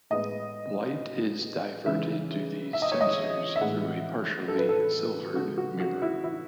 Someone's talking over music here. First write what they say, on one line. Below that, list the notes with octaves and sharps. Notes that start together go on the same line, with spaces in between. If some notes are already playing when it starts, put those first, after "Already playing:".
Light is diverted to these sensors through a partially silvered mirror.
A2 G#3 B3 D#5
C#3 E3 G#3 E5
E5
D#5
C#5
D#5
E5
A2 E3 G#3 F#5
A4
B4
A4
C#3 G#3 B3 F#4
F#4
F#4
E4
E4